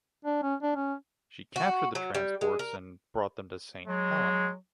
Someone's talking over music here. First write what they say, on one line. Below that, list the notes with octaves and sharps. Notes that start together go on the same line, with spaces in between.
She captured the transports and brought them to Saint Helena.
D4
C#4
D4
C#4
F#4
F#3
G3
G#3
A#4
F#3 G#3